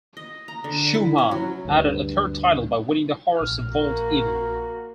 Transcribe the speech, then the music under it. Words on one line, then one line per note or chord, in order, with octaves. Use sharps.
Schuhmann added a third title by winning the horse vault event.
D#5
A#5
D3
E4
C#4
F#3
D2 G2
A#1 F6
A#3 F#4